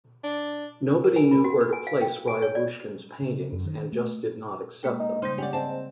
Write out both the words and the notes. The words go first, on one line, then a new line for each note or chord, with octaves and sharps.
Nobody knew where to place Ryabushkin's paintings and just did not accept them.
D4
A#4
G#5
B5
F#4
B4
G#5
F5
G5
G#5
C#5
D5
C#3
F#2
D#3
A3
G#3 A#3 G5
D#4
C#3 G3 D#4 C5
C#4 G4 C#5 D5 F#5
G#2 C4 C5 D5 A5